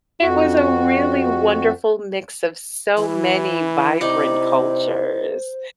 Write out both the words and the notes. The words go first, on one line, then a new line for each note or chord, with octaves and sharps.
was a really wonderful mix of so many vibrant cultures.
F2 F#4
E3 E4
C3 D#4 C5 D5